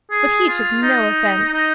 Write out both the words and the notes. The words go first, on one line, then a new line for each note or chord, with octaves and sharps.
But he took no offence.
G#4
F4
D#4
D#4